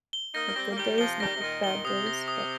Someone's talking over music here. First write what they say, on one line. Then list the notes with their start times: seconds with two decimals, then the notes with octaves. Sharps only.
I have good days, and I have bad days, but
0.13 G7
0.34 A#3 D#4 A#6
0.46 A#3
0.56 G3 C4 A#6
0.71 A#3
0.77 D#3 G3 G7
0.98 C3 F3 G7
1.20 D#3 G3 A#6
1.35 C3
1.41 A#2 D#3 A#6
1.63 A#2 D#3 G7
1.85 C3 D#6
2.07 A#6
2.28 D#6